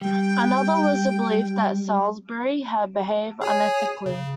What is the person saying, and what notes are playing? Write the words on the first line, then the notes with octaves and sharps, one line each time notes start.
Another was the belief that Salisbury had behaved unethically.
G3 G5
G#4 C#5 G#5
C#3